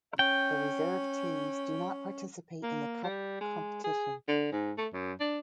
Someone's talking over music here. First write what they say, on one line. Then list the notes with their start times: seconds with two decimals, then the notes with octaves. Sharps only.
The reserve teams do not participate in the cup competition.
0.19 C#4 G5
2.63 A#3
3.04 G3
3.41 G#3
3.84 G#4
4.28 D3
4.52 G#2
4.78 A3
4.93 F#2
5.20 D4